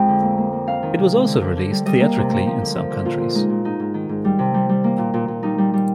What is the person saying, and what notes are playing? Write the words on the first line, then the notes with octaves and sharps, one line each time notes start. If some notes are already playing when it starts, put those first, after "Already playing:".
It was also released theatrically in some countries.
Already playing: F2 G#3 C4 G5
D3
A#3
A#3
A#3
C4 F5
D#3
C3
G#3
D3
D3
D3
G3
G3 D#5
A#3
C3
A#3
F3
D3
F3
D3
A#2 F4
A#2
G#3 D#4
A#2
G#2 D#4
G#2
D#3
G#2
G3
C3
G3
G3
A#3
A#2
A#2
A#2
G3 D#4
G3
G3